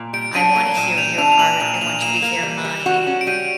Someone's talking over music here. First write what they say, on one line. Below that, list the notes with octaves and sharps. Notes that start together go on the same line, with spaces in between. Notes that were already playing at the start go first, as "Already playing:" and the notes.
I wanna hear your heart, I want you to hear mine,
Already playing: A#2
G3 D7
D4 D#7
A#3 D#7
A#2 E7
G3 F7
D4 F7
F7
A#2 F#7
A#2 F7
A#2 F7
A#3 E7
A#3
G3
G3
F#4
C#4
D7
G3 D#7